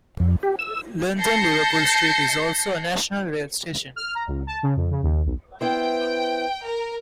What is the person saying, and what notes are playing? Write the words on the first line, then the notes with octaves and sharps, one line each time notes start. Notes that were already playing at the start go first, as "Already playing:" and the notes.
London Liverpool Street is also a National Rail station.
F2
G4
E6
A5 G6 A#6 C7 C#7
F6
A#5
C#2
A5
C#3
F2
C#3
D#2
B1
B3 E4 C5 G5
A#4